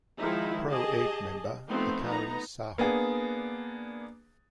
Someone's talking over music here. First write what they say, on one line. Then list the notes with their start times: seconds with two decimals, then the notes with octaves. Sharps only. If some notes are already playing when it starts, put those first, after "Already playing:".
Pro Egg member Akari Saho.
0.18 D#3 F3 G#3 D#4 E4
0.70 G4 G#4 D#5 A5
1.69 F3 A3 B3 C4 D#4
2.04 B3 D#4 A#5
2.78 A#3 B3 D4 G#4